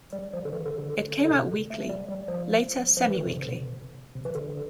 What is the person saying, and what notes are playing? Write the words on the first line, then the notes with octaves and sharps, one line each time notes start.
It came out weekly, later semi-weekly.
G3
F3
D3
E3
D3
D3
D3
C3
A3
G3
G3
F3
F3
E3
D3
C3
C3
B2
C3
E3
D3